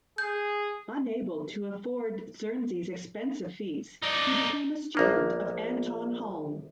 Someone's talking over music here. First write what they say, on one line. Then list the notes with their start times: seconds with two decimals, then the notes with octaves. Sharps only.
Unable to afford Czerny's expensive fees, he became a student of Anton Halm.
0.18 G#4 G6
4.02 D#4 D5
4.95 A#1 A#3 B3